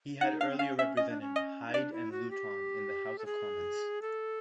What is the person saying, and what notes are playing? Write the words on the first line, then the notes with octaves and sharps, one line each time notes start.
He had earlier represented Hyde and Luton in the House of Commons.
D#4 F#5
D4 F5
C4
C#4 F5
C#4 E5
C#4 D#5
D4
C#4
D#5
D#4
D4 D5
E4
F#4
G4
A4
G#4
A4